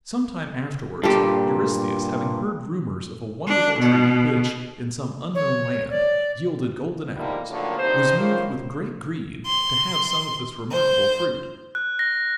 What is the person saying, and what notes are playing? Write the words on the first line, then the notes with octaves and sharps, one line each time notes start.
Sometime afterwards, Eurystheus, having heard rumors of a wonderful tree which, in some unknown land, yielded golden apples, was moved with great greed to have some of this remarkable fruit.
G2 A#2 G4 A4
D4
B2
C#5
D5
D3 F3 G3 A#3 D#4 E4
A2 D3 D#3 F3 F#3 A#3
G2 C3 D#4 C5
A2 D#3 A#3 C#4 F4 C5
C6
C5
F#6
A#6